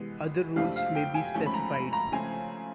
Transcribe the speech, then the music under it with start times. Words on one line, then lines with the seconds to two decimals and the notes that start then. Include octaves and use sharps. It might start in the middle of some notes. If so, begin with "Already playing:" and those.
Other rules may be specified.
Already playing: C3 E3 G#3 B3
0.56 F2 C3 F3 A3 D4 F5
0.76 F5
0.95 G5
1.14 G#5
1.34 G#2 F3 A3 C#4 G#5
1.46 B5
1.54 A#5
1.73 B5
1.93 A#5
2.12 C#3 F3 A3 C4 G#5